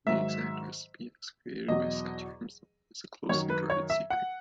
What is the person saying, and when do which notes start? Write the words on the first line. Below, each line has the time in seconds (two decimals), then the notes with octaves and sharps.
The exact recipe as created by Sacher himself is a closely guarded secret.
0.07 G#2 D#3 F#3 E5
1.68 E2 B2 F#3 D#5
3.29 F#2 D#3 F#3 C#5
3.50 B4
3.70 C#5
3.90 E5
4.10 F#5